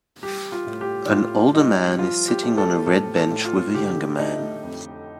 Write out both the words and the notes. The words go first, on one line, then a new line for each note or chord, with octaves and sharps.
An older man is sitting on a red bench with a younger man.
G3 G4
F4
A2
G4
A2 F4
G3 D#4
F3 F4
G4
A3
A4
A2 A4
A4
A2
F4
D3 G4
A3 D#4
F2